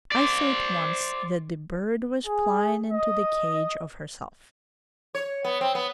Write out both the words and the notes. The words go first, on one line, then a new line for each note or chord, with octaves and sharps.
I saw at once that the bird was flying into the cage of herself.
C5 D5
G#4
D#5
C#5
B3
C4
B3